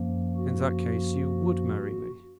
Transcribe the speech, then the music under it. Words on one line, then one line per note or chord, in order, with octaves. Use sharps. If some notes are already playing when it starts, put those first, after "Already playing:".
"In that case you--would marry me?"
Already playing: F#2 F3 A#3
F#4